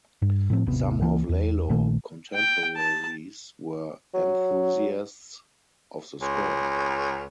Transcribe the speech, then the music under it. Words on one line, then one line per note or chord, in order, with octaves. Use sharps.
Some of Lalo contemporaries were enthusiasts of the score.
G2
A2 F3 C4
D#1 G#1 C3 B3
C#2 E3 A#3
E2
A#1 A#2 D#3 A3
G5
A5
F#3
C#2